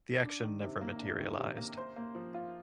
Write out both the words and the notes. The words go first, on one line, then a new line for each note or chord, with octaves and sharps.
The action never materialized.
D4
D#3
C3
A#3
D4
D#3
C3
A#3
C5
A#3
F3
F4